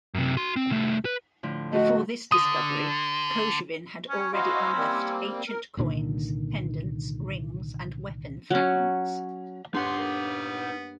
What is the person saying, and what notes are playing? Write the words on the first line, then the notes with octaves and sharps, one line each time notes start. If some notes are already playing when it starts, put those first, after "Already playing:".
Before this discovery, Kozhevin had already unearthed ancient coins, pendants, rings and weapon fragments.
F#2 C3
F#4 C6
C4
C2 A3
B4
A2 D3 F3
A3 F#4 D#5
D3 D#6
C#4 C#5
C#4 E4 F#4 C5 D#5 F5
G3 A#3 C4
A#4
C2 A#2 D3 D#3
F#3 C#4
G2 B3 D#4 C#5 F#5 C6
A#3 B3